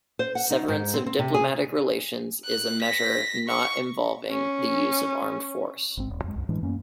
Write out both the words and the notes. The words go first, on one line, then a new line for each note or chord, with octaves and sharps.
Severance of diplomatic relations is a measure not involving the use of armed force.
C5
F#5
D#4
G#2
C4
C4
C3
G#4
F#6
A#6 B6
C#6
C#4
G#1 G#2 C4
D#1
F2 G#3
C2 F#2
A2 E3 G#3 D4
F#2 A#3 B3 C#4